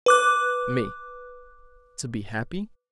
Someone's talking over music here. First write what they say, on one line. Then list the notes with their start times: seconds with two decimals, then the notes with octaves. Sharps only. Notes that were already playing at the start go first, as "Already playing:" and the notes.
ME: To be happy?
0.06 B4 D6 F#6